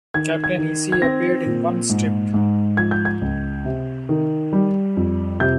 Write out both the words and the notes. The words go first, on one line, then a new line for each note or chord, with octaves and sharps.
Captain Easy appeared in one strip.
D#3 G#6
G#6
D#3
G#6
C4 A#6
A#2
G#2
G#2
F3 G#6
G6
G#6
C#2
C3
D#3
G3
F2
C3 G6